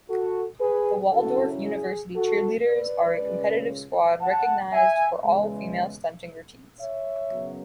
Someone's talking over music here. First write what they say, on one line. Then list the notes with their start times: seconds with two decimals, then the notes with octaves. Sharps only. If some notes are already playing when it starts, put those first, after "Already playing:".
The Waldorf University Cheerleaders are a competitive squad recognized for all-female stunting routines.
0.10 F#4 A4
0.60 G#4 B4
1.12 F#2 C#3 F#3 C#4 E4 F#4 A4
1.65 G#4
2.15 F#4 A4
2.67 B4 D5
3.19 C#2 C#3 G#3 C#4
4.22 F#5 A5
4.73 E5 G#5
5.25 E2 C#3 G#3
6.79 C#5 E5
7.31 F#2 C#3 F#3 B3